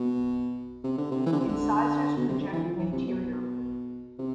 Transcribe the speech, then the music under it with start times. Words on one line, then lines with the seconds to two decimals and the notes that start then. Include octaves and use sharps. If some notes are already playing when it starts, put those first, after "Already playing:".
Incisors project anteriorly.
Already playing: B2
0.84 C3
0.98 D3
1.11 C3
1.26 E3
1.32 D3
1.40 C3
1.48 D3
2.17 B2
2.29 C3
2.41 D3
2.53 E3
2.64 F3
2.79 E3
2.93 C3
3.06 B2
4.18 C3